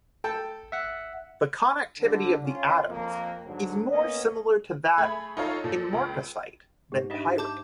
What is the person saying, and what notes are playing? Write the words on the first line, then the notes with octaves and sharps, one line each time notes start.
The connectivity of the atoms is more similar to that in marcasite than pyrite.
A4 G5 A5
E5 F#5
D3 G3
C#4 F4
F2 A#3
G#2 D3 F#3
A#3 B3 C#4 D#5
A3 G#4 B5 G#6
D#4 F4 A4 C#5 F5 A#5
A#2 A4
C#2
G#2 G4
D4 D#4 G4 D#5 E5
A5 D6 G6